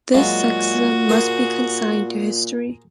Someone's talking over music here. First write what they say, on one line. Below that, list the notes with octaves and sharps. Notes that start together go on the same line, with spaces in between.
This sexism must be consigned to history.
A#2 F#3 G#3 F4 F#4
G#4 A#4 C5